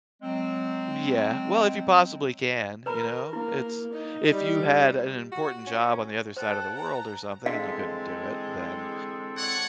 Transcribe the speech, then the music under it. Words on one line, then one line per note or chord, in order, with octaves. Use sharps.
Yeah. Well, if you possibly can. You know? It's if you had an important job on the other side of the world or something and you couldn't do it, then
F#3 G#3 C4
A#4 B4 A#5 B5
A#3 E4
D#4
G3
F#4
C#4
A4 C5 F#5 G5 A5 F#6
A#5
D3 E3 G#3 C4 A4 F5
C#5 D5 F#5